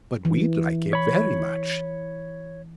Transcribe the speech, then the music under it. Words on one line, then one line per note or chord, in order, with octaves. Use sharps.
But we'd like it very much.
E3
C#5 B5